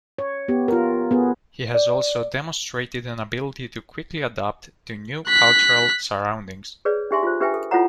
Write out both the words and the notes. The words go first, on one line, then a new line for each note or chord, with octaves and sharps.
He has also demonstrated an ability to quickly adapt to new cultural surroundings.
C#5
B3 G4
F4 A#4
B3 G#4
D5
F#6 B6
G#4 B4 C#5 D5
D4 D#4 G4 E5 G#5 C6
F4 C5
D4 G4 B4 E5 G5 G#5
A4
E4 F4 A4 C#5 F#5 A#5